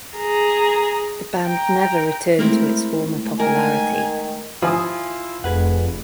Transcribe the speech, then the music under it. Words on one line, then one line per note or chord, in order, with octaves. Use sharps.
The band never returned to its former popularity.
G#4 A#5
G5 A#5
G#3 A3 C4 E4 A#4
D#3 A#4 G#5
F3 E4 F4 G#5 D#6
F1 F2 G#4 B4 F#5